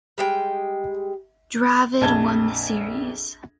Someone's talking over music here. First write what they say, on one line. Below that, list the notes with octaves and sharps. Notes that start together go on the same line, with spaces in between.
Dravid won the series.
G3 G#3 G5
A#1 F2 A5 G#6 G7